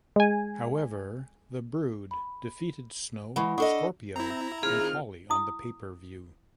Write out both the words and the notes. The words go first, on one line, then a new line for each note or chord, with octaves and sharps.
However, The Brood defeated Snow, Scorpio, and Holly on the pay-per-view.
G#3 G#5
B5
E3 G#3 F#5 B5 C#6
D4 A4 D#5 F#5 C#6 D#6
C4 E4 A#5
D#3 C4 F4 G#4 F6
E4 D#6